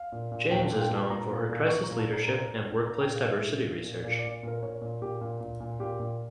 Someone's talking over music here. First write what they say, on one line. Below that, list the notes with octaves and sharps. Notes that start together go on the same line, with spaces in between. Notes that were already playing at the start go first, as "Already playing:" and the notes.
James is known for her crisis leadership and workplace diversity research.
Already playing: F5
A#2
A#2
A#2 G5
A5
A#2
G5
A#2 A5
A#2 A#5
A#2
A#2
A#2 C#6
A#5
A#2
A5
A#2 A#5
A#2 A#5
A#2
A#2
A#2 A#5
A#2 G5
F5
A#2
E5
A#2
A#2
A#2
A#2 D5
D5
A#2
A#2 A#4
A#2 C#5
A#2
A#2 G4
A#2
A#2
A#2
A#2 G4
A#2